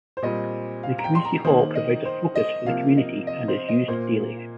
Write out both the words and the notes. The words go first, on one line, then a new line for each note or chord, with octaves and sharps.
The community hall provides a focus for the community and is used daily.
C5
A#2 G3 C4 D#5
F5
A#5
G5
C6
A#5
D#3 A#3 C5
D#5
C5
D#5
C3 F3 A#3 F5
D#5
D#5
C5
D#5
A#2 A#3 C5